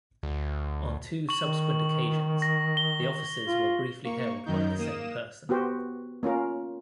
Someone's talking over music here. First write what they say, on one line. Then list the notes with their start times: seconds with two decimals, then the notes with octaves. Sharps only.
On two subsequent occasions the offices were briefly held by the same person.
0.23 D2
1.29 C#6 F#7
1.41 D#3
2.42 A#6
2.77 G7
3.47 F4
4.04 A#3 C#6
4.45 F#2 D#3 D#4 G6
4.78 A#3 D#6 E7
5.49 B3 F#4 G4 C5
6.23 A#3 C#4 F4 A#4